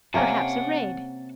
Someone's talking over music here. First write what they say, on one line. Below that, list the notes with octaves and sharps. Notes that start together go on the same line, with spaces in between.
Perhaps a raid!
C3 A#3 C#4 F#5 A5